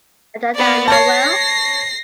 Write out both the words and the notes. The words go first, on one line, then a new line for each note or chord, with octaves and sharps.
And that I know well!
B3 D5
C#5 A5 A#6 C7